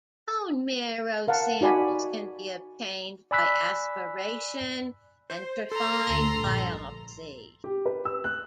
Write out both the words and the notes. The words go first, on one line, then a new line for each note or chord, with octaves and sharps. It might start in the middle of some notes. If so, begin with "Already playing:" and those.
Bone marrow samples can be obtained by aspiration and trephine biopsy.
A#4 F5 F#5 A5
D#4 F#4 D5 G#5 B5
D5 G#5 B5 E6 F#6 B6
C5
A4 A#5 C6
D2 D3
A#1 G2
G4
B4
E6
F#6